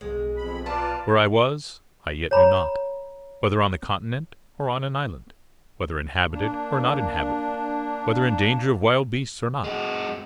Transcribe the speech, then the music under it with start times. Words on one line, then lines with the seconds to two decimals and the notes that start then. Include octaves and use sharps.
Where I was, I yet knew not; whether on the continent or on an island; whether inhabited or not inhabited; whether in danger of wild beasts or not.
0.01 B1 G#3
0.37 F2 B5
0.66 F4 B4 D5 A5 A#5
2.31 C#5 A#5 B5
6.32 A#3 D4
9.64 G#3 F#4